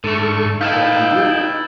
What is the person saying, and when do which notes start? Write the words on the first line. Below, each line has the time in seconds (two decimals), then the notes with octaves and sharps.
"What'll you do?"
0.04 G#2 D3 A3 A4 C#6
0.61 D#4 E4 A4 B4 F5 G5